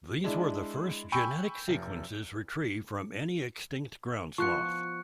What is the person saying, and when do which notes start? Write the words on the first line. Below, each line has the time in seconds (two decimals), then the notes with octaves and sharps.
These were the first genetic sequences retrieved from any extinct ground sloth.
0.24 G#3 D4 E4
1.12 G5 G#5 B5 C#6 E6 G6
1.68 F1
4.38 F3 B3 C#6 F#6 C#7